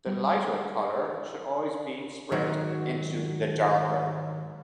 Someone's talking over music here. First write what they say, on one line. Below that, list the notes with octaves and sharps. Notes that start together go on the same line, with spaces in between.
The 'lighter' color should always be spread into the darker.
G3
G#2 D#3 F#3